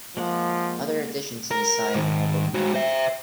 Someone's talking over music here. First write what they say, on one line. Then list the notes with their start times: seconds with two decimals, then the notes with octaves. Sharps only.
Other additions to the site have been made.
0.17 F3 G#3 A#3 F#5
1.51 A#4
1.94 G#2 D#3
2.54 G#3 F#4
2.74 C5 E5